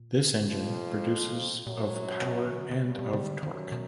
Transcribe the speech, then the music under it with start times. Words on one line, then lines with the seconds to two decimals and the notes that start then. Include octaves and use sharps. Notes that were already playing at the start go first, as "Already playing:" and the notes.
This engine produces of power and of torque.
Already playing: A#2
0.49 F2 F3
1.66 F#2 A#2 F#3
2.46 D#3
2.58 D3
2.71 C#3
2.84 G2 C3 G3
2.99 B2
3.13 C#3
3.23 D#3
3.28 D3
3.43 F#2 D#3 F#3
3.72 B2